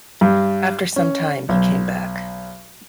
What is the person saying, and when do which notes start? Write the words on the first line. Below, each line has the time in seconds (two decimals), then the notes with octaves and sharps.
After some time he came back.
0.21 G2
0.96 C#4
1.49 B1